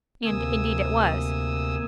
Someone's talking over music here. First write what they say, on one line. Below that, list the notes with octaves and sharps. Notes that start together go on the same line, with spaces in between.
And indeed it was.
D2 C3 A#3 G#5 D#6 E6